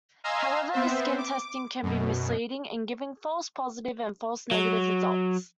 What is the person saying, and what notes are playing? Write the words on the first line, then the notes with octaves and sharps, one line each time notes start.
However, skin testing can be misleading in giving false positive and false negative results.
D#5 F5 G#5 A#5 C6 E6
B3 C4 C5 E5
D6
F#2 B2
F#3